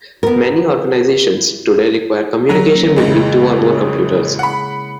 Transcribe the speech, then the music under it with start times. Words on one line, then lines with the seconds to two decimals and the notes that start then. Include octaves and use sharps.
Many organizations today require communication between two or more computers.
0.23 B3 A#4
2.49 F#3 A#5
2.75 A#3 C#4
2.96 A1 F2 C#3 G#3 E4
3.63 E4 G#4 C#5
4.39 F#5 B5